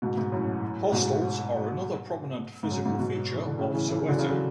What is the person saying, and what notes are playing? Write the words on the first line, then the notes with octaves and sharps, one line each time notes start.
Hostels are another prominent physical feature of Soweto.
G#2 B2
G#2
F#2 A2
G#2 B2
G#2
F#2
G#2
G#2 B2
E3
D3
A2 C#3
C#3 E3
C#3 E3
C#3 E3
D3 F#3
C#3 E3
D3 F#3